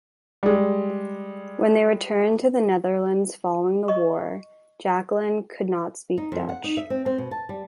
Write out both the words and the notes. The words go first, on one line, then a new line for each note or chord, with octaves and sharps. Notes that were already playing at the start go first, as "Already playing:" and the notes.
When they returned to the Netherlands following the war, Jacqueline could not speak Dutch.
G3 G#3
D#5 C#6
D#4
F2
F#5
D#4
E5
C4
C4
B2
A5
G3